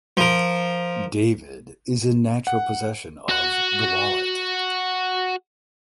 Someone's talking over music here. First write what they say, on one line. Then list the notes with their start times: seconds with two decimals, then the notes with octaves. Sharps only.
David is in natural possession of the wallet.
0.17 F3 A#4
2.47 F#5
3.29 F#4 F#5